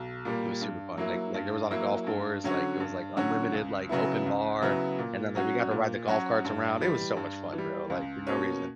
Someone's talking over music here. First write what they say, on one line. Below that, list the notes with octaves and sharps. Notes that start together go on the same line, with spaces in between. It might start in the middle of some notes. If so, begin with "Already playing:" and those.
It was super fun, like like, there was on a golf course, like, it was, like, unlimited, like, open bar, and then we got to ride the golf carts around, it was so much fun, bro, like, for no reason.
Already playing: B1
A#2 G3 A#3
G2
F#3 A#3 E4
G2
F#3 A#3 E4
G2
D3 F#3 C#4 F#4
G2
D3 F#3 C#4 F#4
C#2
C#3 F#3 B3 E4
C#2
C#3 F#3 B3 E4
A#2
F#3 C#4 F#4
A#2
F#3 C#4 F#4
G2
E3 G3
G2
E3
G3
C#2
B2 A#3 C#4